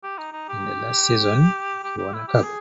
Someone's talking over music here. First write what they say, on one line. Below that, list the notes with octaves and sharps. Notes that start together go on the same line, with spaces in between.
In his last season he won a cup.
G4
D#4
D#4
G4
G4
G4
E4
G4
G#4